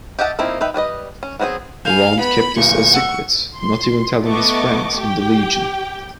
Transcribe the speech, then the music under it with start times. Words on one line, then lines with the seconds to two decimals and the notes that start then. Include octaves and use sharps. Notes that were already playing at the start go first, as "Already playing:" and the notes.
Rond kept this a secret, not even telling his friends in the Legion.
0.19 G4 D#5 E5 F#5 A5
0.39 F3 A#3 C4 D#4 E4
0.61 D#4 B4 E5 G5
0.74 G3 B4 D5 D#5
1.23 C#4
1.39 F#3 B3 C4 D#4 G#4
1.85 F5 G#5 G6
2.19 B3 B5
2.57 D1 A#2 C#6
2.93 F#5 E6
3.55 C6
4.24 A3 B3 D#5 C#6 D6
4.98 G4 G5